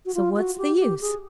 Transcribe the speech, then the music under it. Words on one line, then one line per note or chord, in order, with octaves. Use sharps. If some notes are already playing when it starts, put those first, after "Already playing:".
So what's the use?
F#4
F4
F#4
G4
G4
G#4